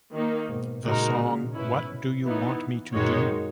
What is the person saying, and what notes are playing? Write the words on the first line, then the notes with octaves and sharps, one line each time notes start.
The song What Do You Want Me to Do?
D#3 A#3 D#4
G#2 B2
A#2 C#3 G#3 D#4 F#4 A#4
A#2 C#3
G#2 B2 C#4 E4 B4
E3 B3 D#4
F#2 A#2 D#3 G#3 D#4 F#4 C#5